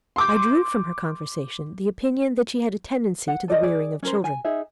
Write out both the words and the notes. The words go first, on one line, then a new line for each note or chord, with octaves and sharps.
I drew from her conversation the opinion that she had a tendency to the rearing of children.
C6 D6 G6
F#5
A4 D5 D#5
G#4 D5
C#4 A#4 C5
G#5
D#4 G#4 E5